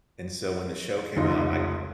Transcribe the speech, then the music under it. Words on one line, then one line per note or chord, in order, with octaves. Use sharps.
and, so when the show came out, I
F1 C#2 D#4 F4